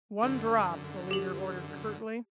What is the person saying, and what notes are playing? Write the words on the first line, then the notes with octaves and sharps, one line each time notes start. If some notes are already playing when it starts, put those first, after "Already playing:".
"One drop!" the leader ordered curtly.
F#2 D3
G4 F#7